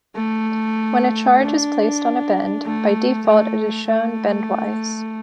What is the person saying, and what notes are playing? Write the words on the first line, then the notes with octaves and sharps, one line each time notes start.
When a charge is placed on a bend, by default it is shown bendwise.
A3
D4
A3
A3
A3